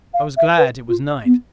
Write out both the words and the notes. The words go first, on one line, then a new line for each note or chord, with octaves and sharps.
I was glad it was night.
F5
E5
B4
F4
B3